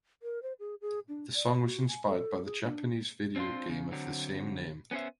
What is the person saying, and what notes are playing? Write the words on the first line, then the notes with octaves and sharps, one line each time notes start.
The song was inspired by the Japanese video game of the same name.
A#4
C5
G#4
G#4
D4
D5
F#4
G#5
A4
G#4
D4
C4 D4 F4 C5
C#3
D3 F#3 C4
B3 C#4 F#4 C5 E5